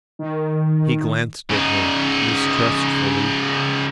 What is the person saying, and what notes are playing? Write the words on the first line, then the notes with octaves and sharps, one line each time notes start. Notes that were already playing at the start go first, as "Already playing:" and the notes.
He glanced at her mistrustfully.
D#3
C#3 D#4